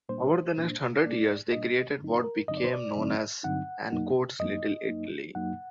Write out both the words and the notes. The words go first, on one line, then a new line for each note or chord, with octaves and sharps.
Over the next hundred years they created what became known as Ancoats Little Italy.
A#2 G3 A#3 D4 C5
A#2 G3 A#3 D4
A#2 G3 A#3 D4 D5
A#2 G3 A#3 D4 D#5
G2 D3 F#3 C4 D#4
A#4
G2 D3 F#3 C4 D#4 D#5
D5
C5
D5
G2 D3 F#3 C4 D#4
G2 D3 F#3 C4 D#4 F#5
F#2 F#3 A#3 D#4
F#2 F#3 A#3 D#4 D#5
F#2 F#3 A#3 D#4
F#2 F#3 A#3 D#4 F#5